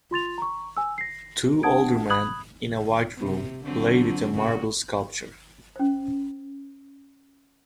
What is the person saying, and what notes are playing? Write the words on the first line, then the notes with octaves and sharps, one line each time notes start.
Two older men, in a white room, play with a marble sculpture.
F4 C6 A6 F7
A#5 C#6
G#5 E6
A#6 C7
D4 F#5 A5 D#6 G#6 D7
B5 D#6 F#6 G#6 F#7
C3
D3 F#3 C4
C#3 A#3 F#4
C#4 C5